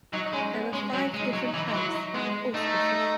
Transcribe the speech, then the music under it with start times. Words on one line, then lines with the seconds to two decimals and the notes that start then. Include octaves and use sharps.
There were five different types of auspices.
0.13 F#3 D#4
0.25 D#4
0.33 G#3 C#4
0.53 B3
0.73 G#3 C#4
0.93 F#3 C#4
1.14 G#3
1.20 D#4
1.33 F#3
1.47 D#4
1.54 E3
1.68 G#3
1.74 F#3 E4
1.94 D#4
2.13 G#3 B3
2.54 A3 D#4